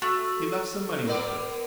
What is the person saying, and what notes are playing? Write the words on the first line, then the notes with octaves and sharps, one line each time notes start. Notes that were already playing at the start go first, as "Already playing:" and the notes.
He left some money with her.
A3 F#4
A#3 B3 A#4 D5